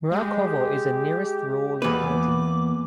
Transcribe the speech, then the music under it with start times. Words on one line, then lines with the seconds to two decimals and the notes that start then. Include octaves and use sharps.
Mrakovo is the nearest rural locality.
0.12 G#3 G4
1.82 E2 A#3 B4 D6